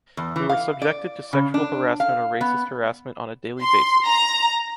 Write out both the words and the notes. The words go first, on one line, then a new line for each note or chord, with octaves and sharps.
We were subjected to sexual harassment or racist harassment on a daily basis.
E2
E3
F5
D5
C#3
D4
F5
B3
C6
A#5